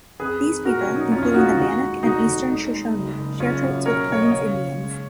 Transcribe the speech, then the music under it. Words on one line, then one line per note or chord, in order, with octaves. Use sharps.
These people, including the Bannock and Eastern Shoshone share traits with Plains Indians.
F2 G#4 B4
D#3
A#2 F#4 A#4
C#4
B1
D#4
F2 C#4 F4
C#4 F4
A#3 D#4 F#4
C#4 F4
D#2 D#4 F#4
G#3
F1 D#4 F#4
D#2
G#3 D#4
G#3
F#1
F#1
F#1 C#4 F4
F#2
B1 A#4 C#5
B1 C#5
D#5
C#3 C#5 F5
F#1
G#3